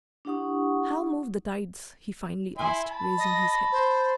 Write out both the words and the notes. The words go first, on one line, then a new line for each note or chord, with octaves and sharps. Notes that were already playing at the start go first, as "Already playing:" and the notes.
"How move the tides?" he finally asked, raising his head.
D4 E4 G4 F#5 C#6 D#6
E4 G#5 C6
A5 B5
D#5
C5